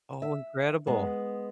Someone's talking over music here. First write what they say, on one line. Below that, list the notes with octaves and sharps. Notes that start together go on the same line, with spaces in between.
Oh, incredible.
E5
G#3 B3